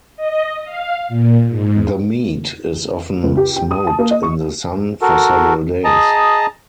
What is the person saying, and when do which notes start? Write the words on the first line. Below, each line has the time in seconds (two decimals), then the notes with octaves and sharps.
The meat is often smoked in the sun for several days.
0.17 D#5
0.65 F5
1.09 A#2
1.49 G#2
3.24 C#2
3.37 G4
3.56 G5
3.71 D#6
3.87 A5
3.99 A#3
4.11 D#5
4.23 C#6
5.01 F#4 A4 A#4
5.84 G#4 D#5 A5 A#5